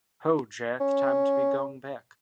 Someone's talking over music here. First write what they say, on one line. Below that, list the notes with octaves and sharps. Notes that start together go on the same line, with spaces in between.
'Ho, Jack, time to be going back.
C#4